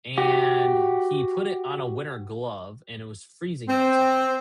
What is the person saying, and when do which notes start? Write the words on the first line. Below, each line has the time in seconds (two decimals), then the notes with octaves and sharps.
and he put it on a winter glove and it was freezing outside,
0.18 F#4 G4
3.68 C4